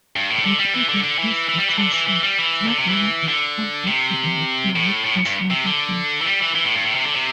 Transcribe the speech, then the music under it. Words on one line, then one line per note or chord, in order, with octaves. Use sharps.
Concluding his internship, Gardner is called into a meeting with his managers.
G2
A2
D3
G3
E3
D3
D3
E3
E3
G3
E3
D3
E3
E3
G3
E3
D3
C3
E3
D3
C3
A2
A2
G2
C3
D3
E3
G3
E3
E3
A2
G2
A2
C3
D3
C3